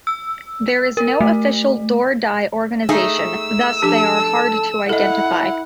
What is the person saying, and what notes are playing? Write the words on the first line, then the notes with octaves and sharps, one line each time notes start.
There is no official Dor Dai organization thus they are hard to identify.
E6
A#4
A3
A3 D#4 G#4 E6
F3 D4 G4 A4
E4 A4 D#5 F#5